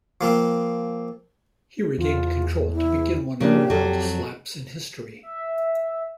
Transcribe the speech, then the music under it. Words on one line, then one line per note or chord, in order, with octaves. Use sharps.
He regained control to begin one of the wildest laps in history.
F3 A#3 C4
E2 F4
E4
C#3 F3 A#3 D4 G4
F2 F#3 A4
E5